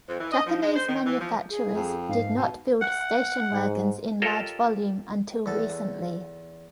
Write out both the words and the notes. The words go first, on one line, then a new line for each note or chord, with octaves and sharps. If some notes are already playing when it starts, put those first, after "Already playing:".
Japanese manufacturers did not build station wagons in large volume until recently.
F2
E3
D#5
F3
G#3
C5
D#3
E3
F3
G#4
F2
G#2 F5
B2
F#5
G#2
F4 G4 A4 A#4 C#5 D#5
E2 A4